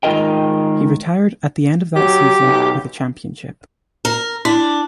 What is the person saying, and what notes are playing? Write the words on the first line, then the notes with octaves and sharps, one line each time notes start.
He retired at the end of that season with a championship.
G#2 D#3 F4 A#4 D#5 G5
F#3 G4
B1
A#4
D4 E4